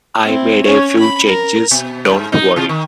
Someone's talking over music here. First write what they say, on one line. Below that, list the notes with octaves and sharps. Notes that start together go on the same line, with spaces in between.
I made a few changes, don't worry.
C4 E4
C#4 C#5
B5
A#4
B2
G#2
D#4
C3 F4
D#3